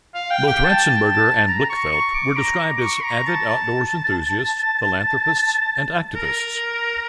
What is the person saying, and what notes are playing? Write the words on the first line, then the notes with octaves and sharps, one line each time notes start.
Both Ratzenberger and Blichfeldt were described as "avid outdoors enthusiasts, philanthropists, and activists".
F5
G5
G5
A5
A#5
C#6
C#6
D6
A#5
D6
C#6
A#5
A5
A5
A#4